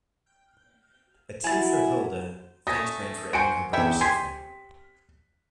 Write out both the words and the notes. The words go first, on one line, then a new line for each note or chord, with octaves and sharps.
A tearful Hilde thanks Grant for ending her brother's suffering.
F#3 E4 G#5 A6
A3 C#4 D#6 A#6
F#4 C5 G#5 C#7 D7
E2 C#4 B4 E5 G5 B5
G4 G#5 C6 B6